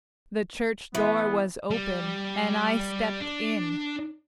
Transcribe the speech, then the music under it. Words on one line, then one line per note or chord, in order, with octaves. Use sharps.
The church-door was open and I stepped in.
E3 B3
G3
D4